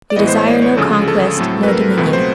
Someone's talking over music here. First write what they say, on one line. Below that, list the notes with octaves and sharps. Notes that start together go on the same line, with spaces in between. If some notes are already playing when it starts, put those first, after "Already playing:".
We desire no conquest, no dominion.
D5
A2 E3 G#3 B3 D#5
C5
C#5
D5
C#5
D2 C#3 F3 G#3 A4
G#4
A4
A2 F#3 A3 C4
B4
A#4
C#2 B2 F#3 A3 C4 B4
C5